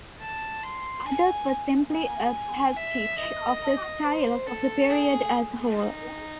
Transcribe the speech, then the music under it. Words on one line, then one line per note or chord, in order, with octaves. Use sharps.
Others were simply a pastiche of the styles of the period as a whole.
A5
C6
G#5
G#5
E5
D#5
C5
A4
G#4
D#4